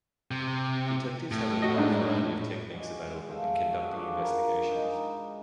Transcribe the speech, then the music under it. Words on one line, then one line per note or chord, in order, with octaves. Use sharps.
Detectives have a wide variety of techniques available in conducting investigations.
C3
A2
F#4 D#5
G#3 D4 D#4
G3 G#3 F#4
A4 C5 E5 F5
F#4 G#4
D4 F4 F#4 B4
F4 A#4 B4
G#3 D#4